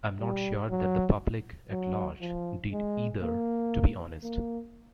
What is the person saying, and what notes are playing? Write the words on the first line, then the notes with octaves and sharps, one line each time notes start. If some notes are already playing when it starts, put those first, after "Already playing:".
I'm not sure that the public at large did either, to be honest.
G3
F#3
F#3
F3
G#3
A#3
A#3